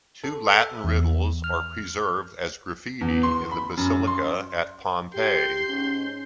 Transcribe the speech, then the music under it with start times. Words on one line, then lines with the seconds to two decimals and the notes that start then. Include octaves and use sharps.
Two Latin riddles are preserved as graffiti in the Basilica at Pompeii.
0.24 A4
0.59 E5
0.84 E2
1.44 F6
3.01 E2
3.23 C6
3.52 B5
3.77 F#2
4.07 C6
5.14 G4 C6 G6
5.69 G#2 C#4